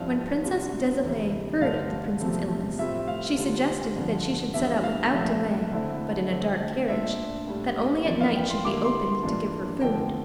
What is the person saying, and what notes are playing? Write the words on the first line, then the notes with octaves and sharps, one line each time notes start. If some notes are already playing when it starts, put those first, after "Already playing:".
When Princess Desiree heard of the Prince's illness, she suggested that she should set out without delay, but in a dark carriage, that only at night should be opened to give her food.
Already playing: G2 F3 C4 E4 F5
C3 G3 D4 F4
D2 C3 E3
G2 D3 A3 F5
E2 C3 F3 A3 C4
A2 G3 C4 F4 E5
F5
D3 G3 D4 F4
G2 D3 F3
E2 E3 G3 D4 E5
F5
C2 A#2 F3 A3 E5
D3 A3 C4 E4
D3 A3 C4
A#2 A3 D4 F4 E5
A2 G3 D4
F2 E3 A#3 F4 D5
F5
G5
C6
D3 G3 A#3 E4 D6
C6
C6
G2 E3 A#3 D4 F4
F2 D3 F3 A#3 G5